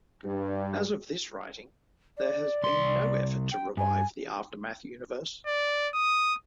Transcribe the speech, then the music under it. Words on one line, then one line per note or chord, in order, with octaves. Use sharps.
As of this writing, there has been no effort to revive the Aftermath Universe.
G2
D5
C2 C6
G5
G2 G#5
D5
D#6